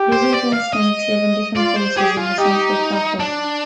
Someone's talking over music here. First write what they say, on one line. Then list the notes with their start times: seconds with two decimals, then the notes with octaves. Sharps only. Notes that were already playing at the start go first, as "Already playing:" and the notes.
Lizards and snakes live in different places in the central plateau.
Already playing: G4
0.12 C5
0.33 D5
0.53 F5
0.73 D#5
1.56 F4 D5
1.76 C5
1.96 G4 G#4
2.17 F4
2.38 D#4 G4
3.20 D4